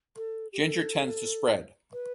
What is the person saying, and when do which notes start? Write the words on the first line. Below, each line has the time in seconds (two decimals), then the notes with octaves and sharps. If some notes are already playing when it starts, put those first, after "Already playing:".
Ginger tends to spread.
0.17 A4
0.53 G4
0.61 A4
1.93 B4